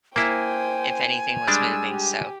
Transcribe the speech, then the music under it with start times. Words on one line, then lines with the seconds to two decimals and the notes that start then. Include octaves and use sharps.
if anything was moving, so,
0.16 A#3 E4 C5 G5 G#5
1.48 G3 G#3 D4 E6
1.86 G4